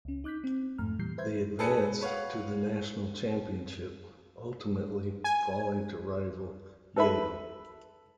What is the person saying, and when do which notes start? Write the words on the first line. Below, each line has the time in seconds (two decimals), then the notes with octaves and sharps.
They advanced to the national championship, ultimately falling to rival Yale.
0.05 C#2 C#4
0.24 D#4 D6 F#6 G6 B6
0.44 C4
0.78 F2 G#2 A3 A#5 F6
0.99 A#2 E3 G3 G6 C7
1.18 B4 C5 E5 G6 G#6
1.59 G#4 A4 B4 C#7
2.01 B4 C#5 F5 F#5
5.24 G#5
6.96 A4 B4 E5 B5